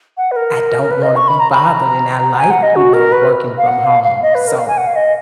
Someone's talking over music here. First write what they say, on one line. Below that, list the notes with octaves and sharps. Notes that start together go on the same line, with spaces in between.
I don't wanna be bothered, and I like, you know, working from home. So
F#5
B4
A#4
A#4
B4
D#5
C#6
B5
A#5
B5
A#5
F#5
G#5
F#5
D#5
F#4
A#4
B4
F5
F#5
F5
F5
D#5
B4
A#4
F5
G#5
F#5
F5
D#5